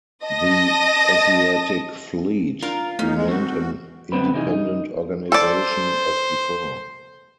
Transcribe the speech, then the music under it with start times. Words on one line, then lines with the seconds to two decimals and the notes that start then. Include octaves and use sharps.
The Asiatic Fleet remained an independent organization as before.
0.24 D#5 A5 D#6 A#6
2.63 D4 F4 A#4
2.99 A3 C#4 D#4
3.15 G#3
3.28 C4 D#4 F#4
4.12 D2 C4 B4 B5
4.33 C3 E3 D#4 G#4
4.51 D#4
5.32 A4 C5 D5